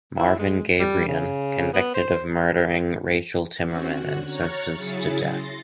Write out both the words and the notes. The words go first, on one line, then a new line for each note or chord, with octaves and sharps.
Marvin Gabrion - Convicted of murdering Rachel Timmerman and sentenced to death.
E4
G#3
G3
C#3
B3
C5
C4 C#4 F#4
D3 F#4 F#6
C#5 A#5 C#6 F6 F#6 A6
C#3 F#3 E4 G#4 A6 C#7
C6 A6 A#6